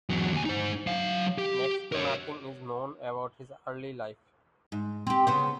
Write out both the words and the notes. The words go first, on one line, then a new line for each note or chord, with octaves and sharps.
Next to nothing is known about his early life.
E2 F#3
D#2 G#5
D#4 C5
F#3 F5
G4
A#4 C#5
G#2
C4 G4
C#3 B3 C5